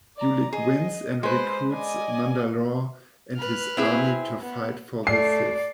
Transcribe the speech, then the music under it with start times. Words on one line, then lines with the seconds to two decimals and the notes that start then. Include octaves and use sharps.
Ulic wins, and recruits Mandalore and his army to fight for the Sith.
0.17 D5 A#5
0.53 G#4 D#5
1.23 G#3 B4 C5 C6
1.73 D5 D#5 G#5
3.37 B4 F6
3.77 C4 E4 G#4
4.40 B3
5.07 A3 D5 C7